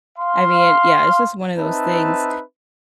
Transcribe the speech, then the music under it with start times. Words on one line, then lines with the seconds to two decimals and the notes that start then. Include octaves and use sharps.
I mean, yeah, it's just one of those things,
0.18 F5 C6
1.56 C4 D#4 B4 E5 A5